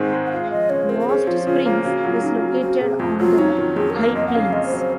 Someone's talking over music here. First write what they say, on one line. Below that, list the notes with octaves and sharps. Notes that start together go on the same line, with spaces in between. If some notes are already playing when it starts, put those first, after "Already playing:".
Lost Springs is located on the High Plains.
Already playing: G#2 D#3 C4
G#3
F#5
F4 F5
F3 D#5
C#3 C#5
C4 A#4
A#4
C#4 G#4
F3 F4
C#3 F4
A#3 F4
C#3 F#4
F#3 F4
C#3 D#4
F4
A#3
F#4
C4 F#4
C3 G#4
F2 F4
F#3 F4
C#4 D#4
D#3 F4
F2 G#4
A#4
A#3
A#4
F2 D#5
F#5
C#3 F5
F2 D#5
C5
F#3
C5